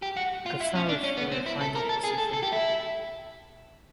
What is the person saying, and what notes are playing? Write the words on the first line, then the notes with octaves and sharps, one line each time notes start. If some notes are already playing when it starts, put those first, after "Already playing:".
Kozoriz for the final position.
G4
F#4
F4
E4
C#4
D4
C#4
B3
C4
E4
A4
A#4
A4
G#4
A4
A4
G4
E4